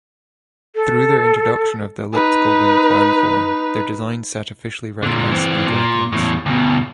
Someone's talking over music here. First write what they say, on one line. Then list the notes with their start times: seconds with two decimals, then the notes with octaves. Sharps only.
Through their introduction of the elliptical wing-planform, their designs set officially recognized speed records.
0.75 A4
2.14 D#4 B4
5.03 A#2 D3
5.31 E3 C4
5.67 A#2
6.12 E2 A2
6.46 D2 B2